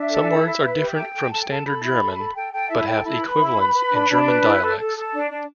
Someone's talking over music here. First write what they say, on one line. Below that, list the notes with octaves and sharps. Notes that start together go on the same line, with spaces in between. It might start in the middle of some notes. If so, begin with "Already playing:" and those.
Some words are different from Standard German but have equivalents in German dialects.
Already playing: D4 E5
A4
E4
E4
B4
G4
A4 G5
A4
A4 A5
G5
A4 A5
A4 B5
E4
A4
A4
A4 G5
A4 G5
E4 E5
A4 G5
E4 B5
B4
E4
B4
B4
D4
D4
B4
E4
A4
A4
A4
D4
D4